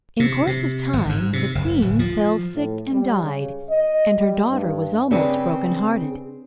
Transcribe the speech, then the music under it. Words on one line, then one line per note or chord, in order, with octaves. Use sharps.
In course of time the queen fell sick and died, and her daughter was almost broken-hearted.
C3
C3
G#1
G#2
C3
F#1
D1
F3
A2
G3
C#3
D#5
G3
G2
C#3 C4 D4 G#4 B4